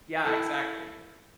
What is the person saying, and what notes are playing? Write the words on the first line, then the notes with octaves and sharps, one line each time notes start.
Yeah, exactly.
E4 A4